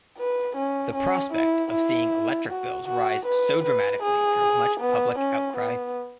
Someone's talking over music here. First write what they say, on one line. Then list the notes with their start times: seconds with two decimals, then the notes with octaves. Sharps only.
The prospect of seeing electric bills rise so dramatically drew much public outcry.
0.18 B4
0.56 C#4
0.95 C#4
1.33 E4
1.72 E4
2.48 F#4
2.88 F#4
3.26 B4
3.64 B4
4.03 G#4
4.80 B3
5.18 C#4
5.57 B3